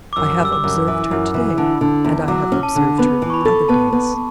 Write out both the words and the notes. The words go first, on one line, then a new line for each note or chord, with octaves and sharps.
I have observed her to-day, and I have observed her other days.
D6
F#2 E6
G3 E6
D6
F#2
E3
F#2
E3
D3
D3
E2
F#3 D6
C#4
A5
D3
B3 B5
E3
C#6
B5
A4
B3 A5
B3